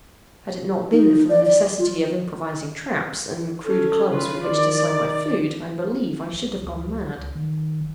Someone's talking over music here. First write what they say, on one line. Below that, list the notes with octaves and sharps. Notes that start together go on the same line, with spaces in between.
Had it not been for the necessity of improvising traps and crude clubs with which to slay my food, I believe I should have gone mad.
D#4
D5
D5
F4
C#4 A4
C#3 F4 B4
D#3 D5
A#1
D2
C#2
D#3
F1